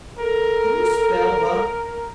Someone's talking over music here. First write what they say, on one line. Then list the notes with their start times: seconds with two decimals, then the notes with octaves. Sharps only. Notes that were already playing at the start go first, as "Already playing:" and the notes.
"Can you spell, Buck?"
0.19 A4 A#4